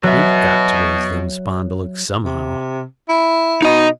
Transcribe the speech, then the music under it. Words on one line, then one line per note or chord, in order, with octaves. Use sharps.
We've got to raise them spondulicks somehow.
B2 F#3 E5
C3
E4
B2 D#4 D#5